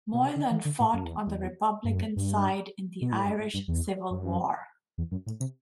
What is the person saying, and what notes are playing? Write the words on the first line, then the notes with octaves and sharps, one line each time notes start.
Moylan fought on the Republican side in the Irish Civil War.
B2
C3
D3
E3
D3
A2
F#2
E2
E2
G2
F#2
G2
B2
A2
G2
A2
G2
E2
F#2
E2
F#2
A2
C3